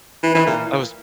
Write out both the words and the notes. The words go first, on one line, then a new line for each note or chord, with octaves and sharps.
I wa I was
E3
E3
A#2